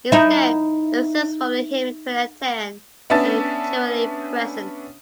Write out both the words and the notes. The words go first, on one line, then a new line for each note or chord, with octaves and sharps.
Instead, excerpts from the Hymn to the Aten are generally present.
D#4 E4
B3 C#4 D4 E5 A5 A6